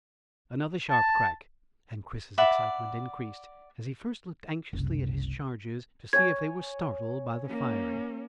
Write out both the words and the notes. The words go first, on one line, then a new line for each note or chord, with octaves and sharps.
Another sharp crack, and Chris's excitement increased, as he first looked anxiously at his charges to see if they were startled by the firing.
A5
D5 E5 F#5 B5
F#1 C2
C#5 G#5 G#6
A#3 C#4